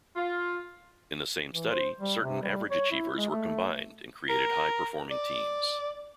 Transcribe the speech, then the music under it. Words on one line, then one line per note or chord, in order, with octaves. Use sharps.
In the same study, certain average achievers were combined and created high performing teams.
F4
E3
C5
G3
C3
G3
C#5
E4
G#3
A3
A#4
D5